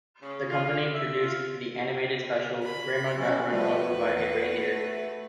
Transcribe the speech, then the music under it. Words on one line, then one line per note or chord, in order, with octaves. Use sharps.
The company produced the animated special "Grandma Got Run Over by a Reindeer".
C#3
F4
E5
F4
B5
B2 F#3 C#4
F3 G3 A3 F#4 B4
E2
A3